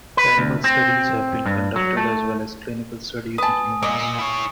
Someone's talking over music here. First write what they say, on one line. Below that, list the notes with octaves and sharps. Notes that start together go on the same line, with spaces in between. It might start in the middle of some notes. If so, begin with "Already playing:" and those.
Animal studies have been conducted as well as clinical studies in humans.
B4
D2
C4
G2
F#3
A3
B4 G#5 A5 D#6
A#2 D5 D#5
E4 C#5